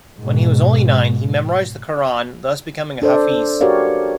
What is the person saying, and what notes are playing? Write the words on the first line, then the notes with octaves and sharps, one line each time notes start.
When he was only nine, he memorized the Qur'an, thus becoming a hafiz.
G#2 B2
D4 A4 C5 D5
F#4 G4 A#4 C#5 D5 F5